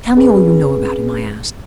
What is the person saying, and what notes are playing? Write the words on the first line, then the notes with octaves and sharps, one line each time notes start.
"Tell me all you know about him?" I asked.
C4 C#4 G#4 B4